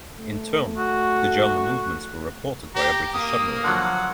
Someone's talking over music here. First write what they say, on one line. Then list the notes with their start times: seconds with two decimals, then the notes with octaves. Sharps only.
In turn, the German movements were reported by a British submarine.
0.14 A3
0.78 F#4
2.75 G4 A#5
3.14 A#3 D#6
3.64 D3 F3 F#3 F#5